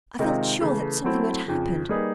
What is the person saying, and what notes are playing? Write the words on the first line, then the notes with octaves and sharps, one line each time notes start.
I felt sure that something had happened.
C3 D#3 G#3 C4 F4
C#3 E3 A3
F#3 A3 C4 E4
F2 C#3 F3
G3 A#3 D#4 G#4 B4